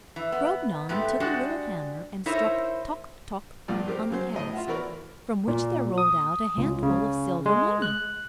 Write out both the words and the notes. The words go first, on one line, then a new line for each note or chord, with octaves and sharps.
Grognon took a little hammer, and struck "toc, toc," on the cask, from which there rolled out a handful of silver money.
E3
B3
G#2 A3 B3 G4
G#3 D4 F#4 G4
D#4 E4 A#4 C5 C#5
A#1 G2 A#2
G4 A#4 C5
C#3 F#3 C5
A2 D#5
F4 E5 F#5
E3 F#4 A#4 B4 D5
A#2
D#6
C#2
C#3
G#3
F#6